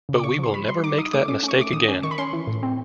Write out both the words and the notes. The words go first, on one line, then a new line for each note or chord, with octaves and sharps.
But we will never make that mistake again.
C#3
D6
C#3 C#6
F3 C6
G3 B5
G3 C6
D#4 D6
D#4 D#6
A3 D6
C#4 D6
C#4 C#6
A3 D6
D#3 D#6
C#4
D#3 C#6
B5
C#4 C6
E3
A2
C4